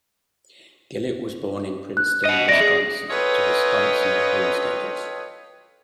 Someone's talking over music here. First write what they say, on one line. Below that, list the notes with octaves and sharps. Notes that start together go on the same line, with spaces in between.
Gillett was born in Princeton, Wisconsin to Wisconsin homesteaders.
F#6
D#5 F#5
E4 D5 A#6
G#4
F4 A4 B4 C#5 D#5 G5